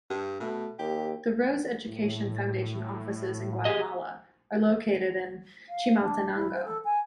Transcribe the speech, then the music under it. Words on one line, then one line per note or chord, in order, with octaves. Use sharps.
The Rose Education Foundation offices in Guatemala are located in Chimaltenango.
G2
B2 A3
D#2 G4
A2
G4 G#4 D#5
F5
D4
E4
C5
A4
G#5